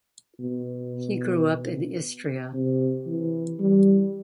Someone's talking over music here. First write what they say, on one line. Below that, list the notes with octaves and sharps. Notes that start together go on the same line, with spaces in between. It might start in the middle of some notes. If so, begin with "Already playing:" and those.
He grew up in Istria.
B2
C3
E3
G3